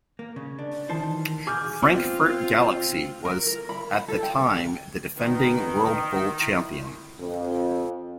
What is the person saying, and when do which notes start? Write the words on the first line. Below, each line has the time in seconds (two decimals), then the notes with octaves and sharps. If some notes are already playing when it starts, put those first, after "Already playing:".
Frankfurt Galaxy was at the time the defending World Bowl champion.
0.19 A#3
0.36 C#3
0.59 D4
0.89 D#3 E3 C5 A5
1.47 G#4 D6 F6 G6
1.82 B3 C4 F4
3.25 A#4
3.46 A#4
3.69 B5
4.08 A4
4.23 G5
5.18 D#3 B3
5.91 D#5
6.39 E4
7.19 F2